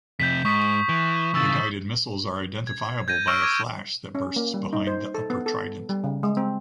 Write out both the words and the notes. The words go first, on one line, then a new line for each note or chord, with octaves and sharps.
The guided missiles are identifiable by a flash that bursts behind the upper trident.
F2 C3 G6 B6
G#2 C#6 D#6 B6
E3
C#3 E3 C#6 E6 A6
G#6
G6 G#6 A#6 D#7
C#6 E6 F6 A#6 D7 E7
D6 G#6 D#7
C#4
A#3
G3
D#4
C5
A4
B3
A4
G3
C#3
G#3
C4